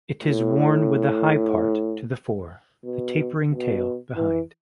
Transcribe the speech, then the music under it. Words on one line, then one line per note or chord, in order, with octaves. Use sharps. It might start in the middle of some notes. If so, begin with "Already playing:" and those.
It is worn with the high part to the fore, the tapering tail behind.
A2
B2
B2
E3